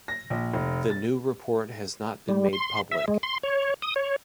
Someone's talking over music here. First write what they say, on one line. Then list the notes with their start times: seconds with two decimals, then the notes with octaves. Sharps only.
The new report has not been made public.
0.08 A#6
0.30 A#1
0.54 F1
0.90 A6
2.29 G3
2.53 C6
2.92 E5
3.08 G#3
3.23 C6
3.43 C#5
3.82 D#6
3.96 C#5